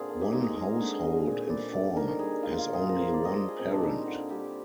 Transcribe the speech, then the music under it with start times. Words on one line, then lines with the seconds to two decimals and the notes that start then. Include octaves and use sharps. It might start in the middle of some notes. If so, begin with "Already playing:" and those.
One household in four has only one parent.
Already playing: A#2 D3 C4 D4 F4 G#4 A#4
0.09 F3
0.21 G4
0.33 G#3 D#4
0.44 G#4
0.56 G#3 A#4
0.80 D3
1.03 G#3
1.26 A#2
1.49 G3 D5
1.73 D3 D5
1.96 D#3 A#4
2.19 G3 G#4
2.43 G#3 F4
2.59 F4
2.66 A#2
2.74 G#4
2.89 F3 A#4
3.01 C5
3.13 G#3 D5
3.25 D#5
3.36 G#3 A#4
3.49 G#4
3.59 A#2 C4
3.71 D4
3.83 G3 D#4
4.06 D3
4.29 G3 G4